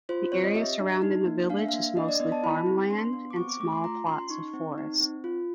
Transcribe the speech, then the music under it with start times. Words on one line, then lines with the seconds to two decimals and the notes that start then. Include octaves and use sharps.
The area surrounding the village is mostly farmland and small plots of forest.
0.09 F4 C5
0.32 C4 C#5
0.44 D#5
0.55 G4 E5
0.80 D4
1.02 D#4
1.26 A#3
1.49 D4 F5
1.59 E5
1.69 F5
1.73 A#3
1.96 D4 D#5
2.09 D5
2.20 B3 D#5
2.32 A5
2.43 E4 B5
2.66 C4
2.90 D4 C6
3.13 B3
3.30 D6
3.36 C4 C#6
3.49 D6
3.60 A3 D6
3.72 C6
3.84 F4 A#5
4.07 C#4 C6
4.30 D#4 C#6
4.54 C4
4.78 D#4
5.00 C4
5.24 F4